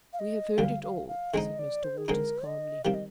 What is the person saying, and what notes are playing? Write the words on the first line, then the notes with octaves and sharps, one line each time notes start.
"We have heard it all," said Mr. Waters, calmly.
F5
D#5
D2 D3 G3 F5
F5
F5
D3 G#3 C4 D#4 D#5
D5
C5
G#4
D3 G#3 C4 D#4 A#4
D#5
C3 D#3 G3 F5
D#5